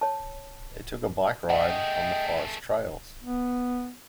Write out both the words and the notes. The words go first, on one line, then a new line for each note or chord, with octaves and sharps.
They took a bike ride on the forest trails.
C#5 A5
A3 G#4 D#5 E5 F#5 G5
B3